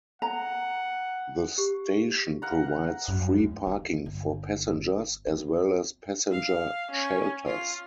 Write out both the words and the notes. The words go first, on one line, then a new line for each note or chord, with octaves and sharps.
The station provides free parking for passengers, as well as passenger shelters.
F#5 A#5
G4
F5 F#5 A#5
F#2
D#2
D#3
G1
C4
F5
C#4
F4